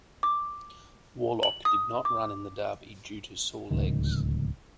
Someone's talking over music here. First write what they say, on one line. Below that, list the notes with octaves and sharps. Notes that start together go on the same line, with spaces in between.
Warlock did not run in the Derby due to sore legs.
D6
F#7
D#6
D6
D1 C#2 D#3